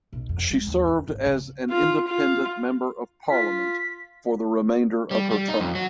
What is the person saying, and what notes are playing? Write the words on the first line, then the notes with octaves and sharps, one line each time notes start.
She served as an independent member of parliament for the remainder of her term.
B1
F2
G#3
D#2
F2
G#1
C#3
F4
F4
F4 B6
G3
G3
D#4
F2
F#3